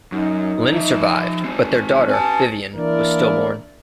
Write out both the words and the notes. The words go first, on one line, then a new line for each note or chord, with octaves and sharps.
Lynne survived but their daughter, Vivienne, was stillborn.
F#2 D#4
F3 E5
C4 D#4
B4 G#5 A5
E3 A#3 D4 E4 A#4 D5